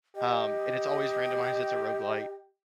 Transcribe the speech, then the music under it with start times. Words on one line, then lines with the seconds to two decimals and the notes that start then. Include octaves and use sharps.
um, and it's always randomized, it's a roguelite,
0.16 G4 D#5